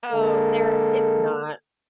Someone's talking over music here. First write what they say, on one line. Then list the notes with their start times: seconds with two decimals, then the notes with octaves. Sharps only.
Oh, there it's not.
0.12 D3 G#3 A#3 A4